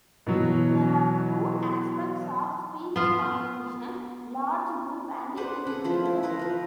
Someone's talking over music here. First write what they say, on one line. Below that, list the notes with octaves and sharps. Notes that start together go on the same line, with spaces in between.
There are two aspects of speech competition: large group and individual.
B2 E3 F#3
B3 F4
B4 C5 D5 F#5
G#4 A4 F#5
F3 E4 F4
E4
E4 A#4 B4 F5
F3 B4